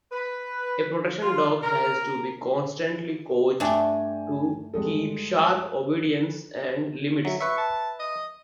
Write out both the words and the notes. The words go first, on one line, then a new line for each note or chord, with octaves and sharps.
A protection dog has to be constantly coached to keep sharp obedience and limits.
B4
F4
A#4
G2 A3 D4 D5 G5 G#5
G3 G#3 A4
F#3 E5
B4 E5 C#6
A5
D#5